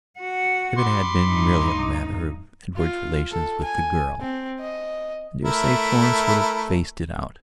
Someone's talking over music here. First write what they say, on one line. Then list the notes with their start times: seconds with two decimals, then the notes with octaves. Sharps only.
If it had been merely a matter of Edward's relations with the girl I dare say Florence would have faced it out.
0.18 F#4 F#5
0.78 B5 C6 D6
1.26 G2 D#4
2.77 F4
3.31 A4
3.63 G#5
4.21 C4
4.60 D#5
5.44 A3 E4 A#4